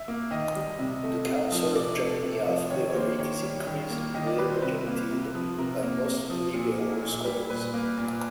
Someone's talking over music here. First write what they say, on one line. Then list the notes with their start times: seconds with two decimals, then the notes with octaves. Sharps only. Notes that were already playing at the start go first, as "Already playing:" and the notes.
The Council of Jamnia theory is increasingly rejected by most liberal scholars.
Already playing: E5
0.08 A#3
0.31 D#3 D#5
0.56 G3
0.79 C3
1.04 A3
1.27 C3
1.52 F3
1.75 C3 D5
1.99 A3
2.23 C3
2.47 F3
2.70 D#3 C#5
2.90 C#5
2.94 A#3 C5
3.18 D#3 C#5
3.42 G3
3.67 D#3
3.90 A#3
4.14 D#3 D#5
4.27 D5
4.39 G3 B4
4.50 C5
4.62 C3 B4
4.87 A#3
5.11 C3
5.35 F3
5.58 C3 A#4
5.83 A#3
6.06 C3
6.30 F3
6.54 A#2
6.78 A#3
7.02 A#2
7.25 G3
7.50 A#2 B4
7.74 A#3
7.98 A#2